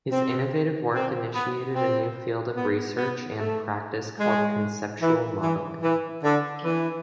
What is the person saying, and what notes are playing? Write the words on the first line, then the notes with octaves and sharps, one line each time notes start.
His innovative work initiated a new field of research and practice called Conceptual Modeling.
C4
C4
B3
C4
B3
B3
A3
G#3
E3
E3
E3
D3
E3